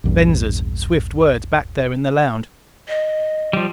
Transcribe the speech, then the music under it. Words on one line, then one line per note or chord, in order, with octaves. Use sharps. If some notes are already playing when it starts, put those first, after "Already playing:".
Venza's swift words back there in the lounge.
A#1 E2 G2
D#5
F3 G3